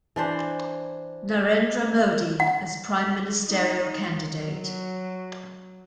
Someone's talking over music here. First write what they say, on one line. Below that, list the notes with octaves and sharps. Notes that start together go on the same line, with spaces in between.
Narendra Modi as Prime Ministerial Candidate.
E3 D4 C5
F#5
D#4
F#3